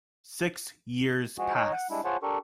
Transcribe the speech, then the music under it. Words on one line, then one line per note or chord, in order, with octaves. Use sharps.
Six years pass.
F3 G#3 F#4 G#4
D#4 C#5 D#5
F#5
G3 G#3 D4 E4
F4 G#4 C5 C#5 F#5 A5
D4 G4 A4 A#4 C#6